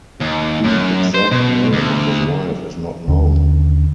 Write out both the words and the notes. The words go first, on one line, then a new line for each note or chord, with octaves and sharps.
The exact name of his wife is not known.
D#2
F#2
C5
B2
D2
D#2 D3 C#4